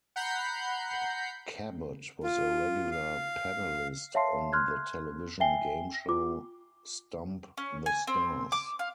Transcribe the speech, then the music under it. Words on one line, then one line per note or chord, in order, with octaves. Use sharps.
Cabot was a regular panellist on the television game show, "Stump the Stars".
F#5 A#5 B5 G6 C7
F4
F5
C#5 E5 F5 A5 C6 C7
C6 F6 F#6 G#6
E5 G5 G#5 C7 G7
F4 D6
C#4
G#5
C4
D6
F5